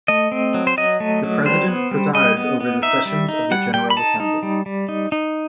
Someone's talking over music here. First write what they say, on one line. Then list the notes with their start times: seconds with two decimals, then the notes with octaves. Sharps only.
The President presides over the sessions of the General Assembly.
0.08 A3 D#5
0.32 C4
0.54 F#3
0.67 C5
0.77 F#3 D#5
1.00 A3
1.23 F#3
1.45 G3 C5
1.68 B3
1.91 G3
2.14 G3 D#5
2.37 B3
2.60 B3
2.82 D#4 E5
3.05 G3
3.29 D#4
3.51 G3 F#5
3.74 G3 G5
3.90 B5
3.97 D#4 A5
4.20 D#4
4.43 G3
4.66 G3
4.89 D#4
5.12 D#4